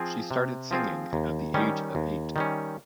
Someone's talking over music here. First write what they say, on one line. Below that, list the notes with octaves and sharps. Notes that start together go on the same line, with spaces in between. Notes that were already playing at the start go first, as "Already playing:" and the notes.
She started singing at the age of eight.
Already playing: F3 C4 F4 G#4
C3
F3 C4 F4 G#4
D#2
D#3 G3 C#4
D#2
D#3 G3 C#4